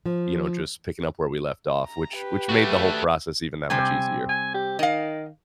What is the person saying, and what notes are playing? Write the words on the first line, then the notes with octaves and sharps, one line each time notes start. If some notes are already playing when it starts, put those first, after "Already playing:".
you know, just picking up where we left off, which which made the whole process even that much easier.
F3
A#5
G4 B4
A3 F#4
C3 G3 C4 G#5
G#5
G4
D#3 D#5 F5